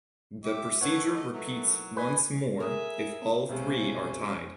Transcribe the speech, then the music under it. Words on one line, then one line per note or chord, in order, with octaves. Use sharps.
The procedure repeats once more if all three are tied.
G4 E5 D6
D#3 E3 A3 B3 C#5 F#5
D#5
F#3 A3
B4 D#5 G#5
G#3 G#4 A#4 E5 D#6
B1 C3 G#3 C#4 C5